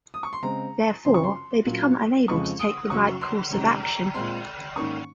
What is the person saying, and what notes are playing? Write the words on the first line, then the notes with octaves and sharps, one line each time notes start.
Therefore, they become unable to take the right course of action.
D#6
C#6
C6
C#3 G#3 C4 A#5
F#2 C#3 F3 C4 C6
C#6
C6
A#2 F#3 C#4
F2 C#3 F3 G#3 C4 C#6
D#6
F#2 C#3 F#3 C#6
C6
C3 D#3 G#3 C#4 A#5
A#5
A#2 G#3 C4 C6
G#2 D#3 A#3 C#4 C#6